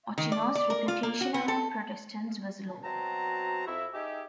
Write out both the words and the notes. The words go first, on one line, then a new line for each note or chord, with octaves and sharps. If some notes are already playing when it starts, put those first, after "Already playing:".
Ochino's reputation among Protestants was low.
D#3
D5
D5
A#4
F4
A#3
F#4
B3
A4
B2 F#3 C4 A5 A#5
F2 E4 E5 C#6
D#4 G4 G#4 E5